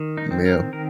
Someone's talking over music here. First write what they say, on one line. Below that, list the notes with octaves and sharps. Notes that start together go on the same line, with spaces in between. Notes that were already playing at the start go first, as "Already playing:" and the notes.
M Yeah.
Already playing: D#3
D#4
C4
A#4
D#3 A#4